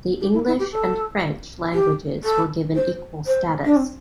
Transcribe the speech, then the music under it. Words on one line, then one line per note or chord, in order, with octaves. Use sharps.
The English and French languages were given equal status.
G4
E4
E4
G4
A4
G4
A4
C5
C5
D4
C4